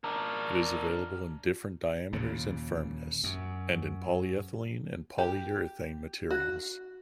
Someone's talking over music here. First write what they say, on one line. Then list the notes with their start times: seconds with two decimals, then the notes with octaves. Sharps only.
It is available in different diameters and firmness, and in polyethylene and polyurethane materials.
0.04 D4 A#4
2.13 D#2 A#2 C#3
3.24 F#2
5.18 G4
6.30 F#4